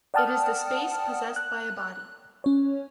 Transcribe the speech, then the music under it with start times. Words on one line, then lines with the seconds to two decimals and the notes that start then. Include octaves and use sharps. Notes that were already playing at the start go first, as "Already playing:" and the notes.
It is the space possessed by a body.
0.14 D5 F#5 G5 A5 D#6 F6
1.36 F#6
2.44 C#4 C#5